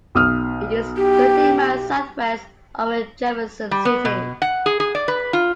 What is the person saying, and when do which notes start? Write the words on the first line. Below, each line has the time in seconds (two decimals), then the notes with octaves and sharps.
It is thirty miles southwest of Jefferson City.
0.15 B1 D#6 F6
0.97 G4
3.71 G3
3.85 B3
4.05 B2
4.42 F#5
4.66 G#4
4.80 G#4
4.95 D5
5.08 B4
5.33 F4